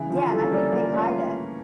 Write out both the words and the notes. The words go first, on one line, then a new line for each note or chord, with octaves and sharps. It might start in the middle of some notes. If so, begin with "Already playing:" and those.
Yeah, and I think they hide it.
Already playing: C#3 E3
D3 F3 F4
E3 G3 A4
C#4
G3 A#3 D5
G3 A#3 F4
A3 C#4 F4